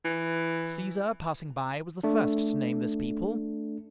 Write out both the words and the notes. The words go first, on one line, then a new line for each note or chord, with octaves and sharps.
Caesar, passing by, was the first to name this people.
E3
A3 D4